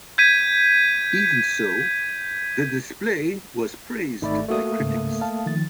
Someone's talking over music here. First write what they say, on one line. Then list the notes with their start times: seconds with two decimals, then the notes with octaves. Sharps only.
Even so, the display was praised by critics.
0.18 G6 G#6 B6 D#7
4.22 G#1 A3 D#4 A4 D5 B5
4.48 A3 A#3 F#4 A4 D#6
4.80 C#2 G#2 C#3
5.21 F5 A5
5.46 D#3 F3 A6